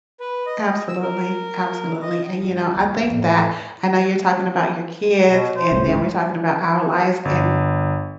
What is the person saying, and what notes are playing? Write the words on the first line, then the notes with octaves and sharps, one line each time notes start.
Absolutely, absolutely. And, you know, I think that I know you're talking about your kids, and then we're talking about our lives and
B4
D#5
E6
A#4
D#5
G3
D#2
F2 A2
B2
C5
C2 A2
C#2 G#2
G1